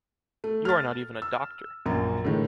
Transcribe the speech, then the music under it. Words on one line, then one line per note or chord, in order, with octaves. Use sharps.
You are not even a doctor!
A3
F6 A6
E6
A#1 F#2 A#3
A2 D3 D#3 G#3